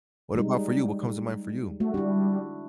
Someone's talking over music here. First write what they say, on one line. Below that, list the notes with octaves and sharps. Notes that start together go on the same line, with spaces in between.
what about for you? What comes to mind for you?
G3 G#3 D#4
A3 F#4
G3 D4 E4